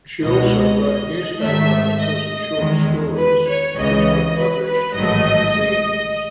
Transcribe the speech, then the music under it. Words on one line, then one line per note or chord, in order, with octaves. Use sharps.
She also wrote newspaper articles and short stories which were published in magazines.
C#2 B2 G#3 D#5
D#5
G#2 D#3 A3 E5
D#5
E2 D#3 G#3
B4
C#5
C#2 C#3 E3 D#5
B4
B4
A1 G#2 D#3 F#3 A3 D#5